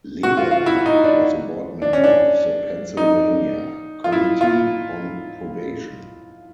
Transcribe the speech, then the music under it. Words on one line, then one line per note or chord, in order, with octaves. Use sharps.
Lederer was a board member of the Pennsylvania Committee on Probation.
F#4
F4
F4
E4
D#4
D4
D4
C#4
D4
D#4
F4
E4
F4